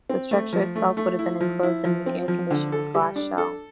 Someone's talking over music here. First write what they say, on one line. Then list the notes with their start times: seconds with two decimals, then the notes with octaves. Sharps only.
The structure itself would have been enclosed in an air conditioned glass shell.
0.09 C4
0.31 A3
0.53 F3
0.76 A3
0.97 A3
1.19 E4
1.41 F3
1.63 E4
1.85 F3
2.06 C4
2.28 F3
2.51 D3
2.72 A4
2.95 G3
3.16 D4
3.38 A4